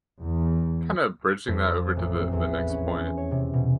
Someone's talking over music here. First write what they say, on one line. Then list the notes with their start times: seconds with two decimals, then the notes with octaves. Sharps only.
kind of bridging that over to the the next point,
0.20 E2
1.48 F2
1.97 A1
2.20 C4
2.32 E2
2.53 B4
2.69 C#4
2.87 G#5
3.17 C#5
3.31 C3
3.54 B2